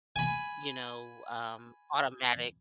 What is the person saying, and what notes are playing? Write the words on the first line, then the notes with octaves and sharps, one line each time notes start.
you know, um, automatic
G#5 B5